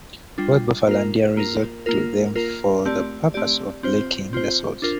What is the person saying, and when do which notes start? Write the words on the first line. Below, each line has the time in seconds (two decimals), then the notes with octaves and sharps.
Both buffalo and deer resort to them for the purpose of licking the salt.
0.38 G3 D4 F4
0.87 A#3 F4 A#4
1.37 A#3 F4 A#4
1.86 A#3 F4 A#4
2.35 A#3 F4 A#4
2.85 A3 C4 G4 D5
3.34 A3 C4 G4 D5
3.83 C4 F4 C5
4.33 C4 F4 C5
4.82 D4 F4 A#4